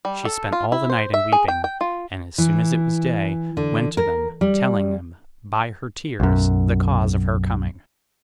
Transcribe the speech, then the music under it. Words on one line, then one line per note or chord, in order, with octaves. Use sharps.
She spent all the night in weeping; and, as soon as it was day, went to them, telling them, by her tears, the cause of her coming.
G3
A4
F4
E4
C5
E5
G#4
G5
G5
F4
E3
D3
A#4
G3
B1 F#2